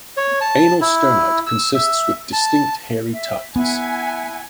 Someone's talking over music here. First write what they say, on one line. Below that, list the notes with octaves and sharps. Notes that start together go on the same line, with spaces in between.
Anal sternite consists with distinct hairy tufts.
C#5
A5
E4
E6
E5
A5
E5
B3 E4 E5 F#5 G#5